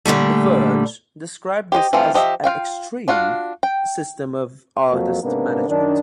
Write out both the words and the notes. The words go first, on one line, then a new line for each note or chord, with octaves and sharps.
"The Verge" described this as an "extreme" system of artist management.
A#2 D3 G3 A3
G4 C5 C#5 D#5
E3 G3 A3 C4 F4
F3 G4 D#5 E5
F4 F#4 F5 G5
D4 F4 F#4 F5
G5
F2 F3 F#3 A#3
G#2 C3 A#3 B3 D4
F#2 D#3 D4